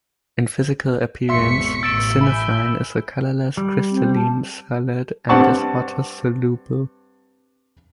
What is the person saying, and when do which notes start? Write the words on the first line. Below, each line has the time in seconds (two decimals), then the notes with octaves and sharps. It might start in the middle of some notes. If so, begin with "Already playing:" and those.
In physical appearance, synephrine is a colorless, crystalline solid and is water-soluble.
1.29 G#1 E2 B2 E5 C6 C#6 B6 C#7
1.83 A1 E6 A6 D7 E7
2.21 E5 G#5 B5 G6
3.57 G3
3.91 C4
4.16 A5
5.29 G2 C4 F#5 A5 C#6